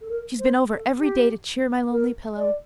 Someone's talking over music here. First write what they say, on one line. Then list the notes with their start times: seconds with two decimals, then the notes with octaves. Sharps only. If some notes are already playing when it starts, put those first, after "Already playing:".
She's been over every day to cheer my lonely pillow.
0.01 A4
0.09 A#4
0.39 C5
0.70 A4
0.99 G4
1.91 A#4
2.37 D5